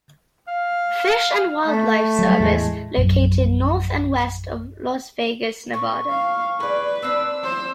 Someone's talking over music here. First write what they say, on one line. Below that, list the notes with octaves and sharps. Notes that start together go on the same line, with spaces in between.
Fish and Wildlife Service, located north and west of Las Vegas, Nevada.
F5
A3
F#3 G3
E2 A2 G#3
A#1 F#2
A#2 B4 C#6
F5
G#4 B4 D5
C4 D4 E6
C5